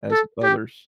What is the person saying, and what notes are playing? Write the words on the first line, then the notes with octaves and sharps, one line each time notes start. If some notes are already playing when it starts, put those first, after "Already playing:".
as others,
A4
G4